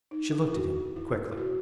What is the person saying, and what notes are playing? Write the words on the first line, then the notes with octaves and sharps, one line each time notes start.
She looked at him quickly.
D#4
E4
E4
F#4
E4
E4
F#4